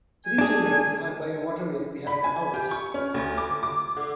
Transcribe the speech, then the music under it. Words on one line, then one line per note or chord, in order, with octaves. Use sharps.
Three children are by a waterway behind a house.
G#5
D4 G#4
B5
G#5
G4
C#6
C#4
D2
D6
D6
D3